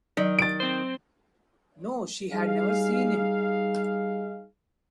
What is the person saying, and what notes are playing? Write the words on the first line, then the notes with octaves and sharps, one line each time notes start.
No, she had never seen him.
D#3 F#3 D5
A6 D7
C4 C5
G3 D#4 G#4 F5